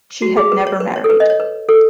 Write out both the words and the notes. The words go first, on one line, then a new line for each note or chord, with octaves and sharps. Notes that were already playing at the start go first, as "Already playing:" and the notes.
She had never married.
F#4
G#4
B4
C#5
B4
C#5
A4
B4
D#5
C#5
B4
A4